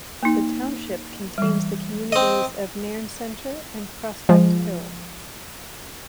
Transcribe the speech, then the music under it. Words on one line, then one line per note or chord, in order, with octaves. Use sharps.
The township contains the communities of Nairn Centre and Prospect Hill.
A#3 D#4
E3 G3
C4 D#5
F3 G#3